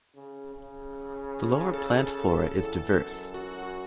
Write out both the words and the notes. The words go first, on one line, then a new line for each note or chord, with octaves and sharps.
The lower plant flora is diverse.
C#3
C#3
A4
E2
F#2
F#4